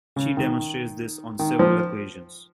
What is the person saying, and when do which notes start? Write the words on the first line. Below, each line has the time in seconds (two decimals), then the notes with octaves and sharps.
She demonstrates this on several occasions.
0.16 C#3
0.37 D#3
1.39 D#3
1.59 F3